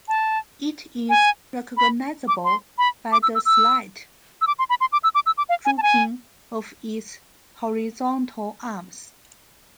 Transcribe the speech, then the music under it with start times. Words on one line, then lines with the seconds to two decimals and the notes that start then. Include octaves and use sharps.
It is recognisable by the slight drooping of its horizontal arms.
0.08 A5
1.10 G#5
1.77 B5
2.28 D6
2.45 C6
2.78 B5
3.12 D6
3.23 E6
3.35 E6
3.46 E6
4.41 E6
4.47 D6
4.59 C6
4.70 B5
4.81 C6
4.92 D6
5.04 E6
5.15 D6
5.26 E6
5.38 D6
5.49 F5
5.65 G#5
5.78 A5
5.83 G#5